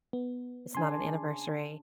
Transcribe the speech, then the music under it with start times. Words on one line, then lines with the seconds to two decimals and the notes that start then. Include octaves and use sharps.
it's not an anniversary,"
0.13 B3
0.75 C#3 C#4 D4 G#5 C6